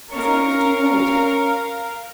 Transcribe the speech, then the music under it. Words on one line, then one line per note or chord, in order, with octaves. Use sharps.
He said it was too late.
C#4 A#4 F5 C#6